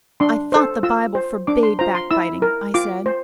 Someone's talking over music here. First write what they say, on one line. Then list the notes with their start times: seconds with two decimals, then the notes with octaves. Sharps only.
"I thought the Bible forbade back-biting," I said.
0.20 D4 C6
0.52 A4 C5
0.83 F4 E6
1.15 C5
1.47 D4 D6
1.63 C6
1.79 F4 C5 A#5
1.95 C6
2.11 E4 E6
2.42 A#4
2.74 F4 D6
3.06 C5